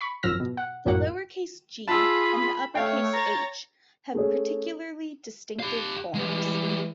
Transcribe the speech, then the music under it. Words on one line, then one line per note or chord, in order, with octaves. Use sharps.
The lower case "g" and the upper case "H" have particularly distinctive forms.
B5 C#6
G#1 F#2 F3 E6 F6 A#6
B2
F#5
A#1 F#2 A2 F#3 A#3 F#5
F4 G#4 A5 B5 E6
A3 C#5 F5 G5
A#5 A6
A3 C#4 G#4 C#5
G4 F5
E3 G3 G#3